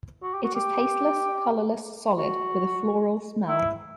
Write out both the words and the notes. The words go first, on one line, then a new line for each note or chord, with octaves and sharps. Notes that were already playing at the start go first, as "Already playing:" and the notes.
It is tasteless, colourless solid with a floral smell.
F#4
G4
F#4
G4
F#4
E4